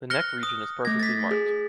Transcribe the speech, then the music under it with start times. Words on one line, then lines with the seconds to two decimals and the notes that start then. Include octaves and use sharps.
The neck region is perfectly marked.
0.10 F6 F#6 A#6 C#7 G7
0.43 D#6
0.85 A3 G#6 A#6
0.99 A6 B6
1.31 G#4